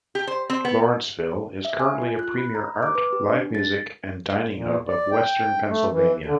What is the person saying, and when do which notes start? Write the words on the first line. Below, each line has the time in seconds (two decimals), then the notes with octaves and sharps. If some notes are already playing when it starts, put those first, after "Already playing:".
Lawrenceville is currently a premier art, live music, and dining hub of Western Pennsylvania.
0.15 G4
0.27 C5
0.50 C4
0.65 B3
1.65 E5
1.79 G#5
2.02 F4
2.19 F#6
2.38 B5
2.55 A#5
2.83 D6
2.95 B4
3.13 G4
3.29 D4
3.55 A6
3.71 A#6
4.55 A#2
4.88 D5
5.11 G5
5.68 A3
5.91 E3
6.26 D3